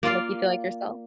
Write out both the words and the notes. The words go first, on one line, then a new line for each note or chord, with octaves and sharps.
that make you feel like yourself?
A#3 F4 D5 F5